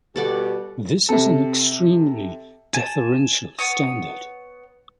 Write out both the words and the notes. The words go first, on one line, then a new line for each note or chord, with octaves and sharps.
This is an extremely deferential standard.
B2 G3 G4 A4 D5 F#5
C3 A4
G#5 A5
B3 C#5 D#6